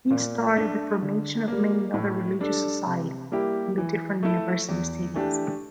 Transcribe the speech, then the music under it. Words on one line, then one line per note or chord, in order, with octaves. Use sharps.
This started the formation of many other religious societies in the different university cities.
A#2
A3 D4
D3
G3 A#3
A2
G3 D4 A4
C3
G3 A#3 E4 G4
E3
A3 E4 A4
E2
E3 A3 D4 G4